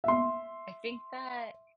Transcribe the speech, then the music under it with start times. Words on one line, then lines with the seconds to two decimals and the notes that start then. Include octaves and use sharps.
I think that
0.04 E5 C6